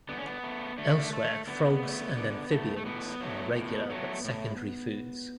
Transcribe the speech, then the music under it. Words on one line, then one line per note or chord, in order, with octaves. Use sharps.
Elsewhere frogs and amphibians are regular but secondary foods.
D3 B3
C#4
B3
A3
D3 A3
A3
D3 B3
A3
D3
A3
A3
A2 B3
F#3 A3
A2
F#3 A3
A2